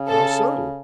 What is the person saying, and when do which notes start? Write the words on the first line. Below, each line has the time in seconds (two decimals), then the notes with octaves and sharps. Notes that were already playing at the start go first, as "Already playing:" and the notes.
"How so?"
Already playing: C#3
0.08 A4